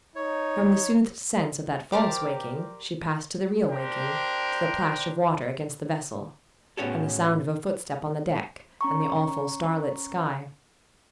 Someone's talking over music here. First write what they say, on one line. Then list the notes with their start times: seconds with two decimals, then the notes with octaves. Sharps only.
From the soothed sense of that false waking she passed to the real waking,--to the plash of water against the vessel, and the sound of a footstep on the deck, and the awful starlit sky.
0.16 D#4 C#5
1.92 G4 A#4 C5 D5
3.69 D4 G4 A#4 C5 G5
6.77 A2 B3 C#4 F#4 G#4 A4
8.81 C#4 A#5 C#6